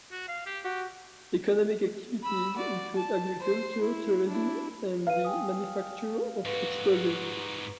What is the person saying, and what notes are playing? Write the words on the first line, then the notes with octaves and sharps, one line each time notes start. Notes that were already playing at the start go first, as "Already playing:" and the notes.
Economic activities include agriculture, tourism and the manufacture of explosives.
F#4
F5
G4
F#4 G4
B5 E6
F#4 D5
A5
C5 C6
E4
D4 E4
B4 F5 D#7
G5 G#5 D#6
G#2 F#4 B4